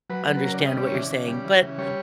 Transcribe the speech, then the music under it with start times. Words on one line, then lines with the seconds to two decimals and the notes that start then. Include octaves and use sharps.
understand what you're saying, but
0.10 F#3 B4
0.26 F#3
0.37 B4
0.43 C#3 A#4
0.54 D5
0.61 G3
0.66 D#5
0.77 C#3 D5
0.87 C#5
0.94 E3 D5
1.10 C#3
1.28 G3
1.45 E3
1.62 C#3
1.78 G3 C#5